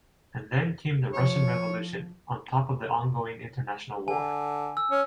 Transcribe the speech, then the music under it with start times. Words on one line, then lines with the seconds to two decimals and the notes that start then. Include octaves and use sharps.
And then came the Russian Revolution, on top of the ongoing international War.
1.14 F3 C#5
4.08 D3 G#5
4.77 E6
4.91 C#4